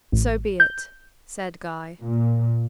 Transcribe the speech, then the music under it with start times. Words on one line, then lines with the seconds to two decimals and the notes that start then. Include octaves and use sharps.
"So be it," said Guy.
0.12 A1
0.60 G6
2.03 A#2